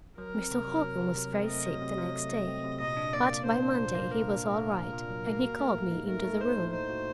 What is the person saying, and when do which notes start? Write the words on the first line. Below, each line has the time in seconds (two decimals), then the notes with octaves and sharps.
Mr. Holcombe was very sick the next day, but by Monday he was all right, and he called me into the room.
0.18 F#3 A#4
0.34 C4
0.51 C3
0.67 F#3
0.83 F#3
1.00 C3
1.16 F#3
1.33 C4
1.49 A3 D#5
1.66 F#3
1.82 C3
1.98 F#3
2.15 A3
2.31 A3
2.47 C4
2.64 C3
2.80 A#2 D#5
2.97 D4
3.13 A#3 D5
3.29 A#3
3.45 D4 C5
3.62 D4
3.79 A#2
3.95 A#3
4.11 A#3 A#4
4.27 D4
4.44 A#3
4.60 A#3
4.77 A#2
4.93 A#2
5.10 F#3
5.26 A#3
5.43 F#4
5.59 A3
5.75 A2
5.91 D#4
6.08 A3 A#4
6.24 A3
6.41 D#4 C5
6.56 A2
6.73 D#4 C5
6.90 F#4